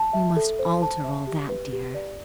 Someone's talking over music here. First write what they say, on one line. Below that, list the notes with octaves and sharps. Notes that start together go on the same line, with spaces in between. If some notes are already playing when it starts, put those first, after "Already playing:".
We must alter all that, dear.
Already playing: A5
E5
A4
C5
A5
E5
G4
B4
G4
D5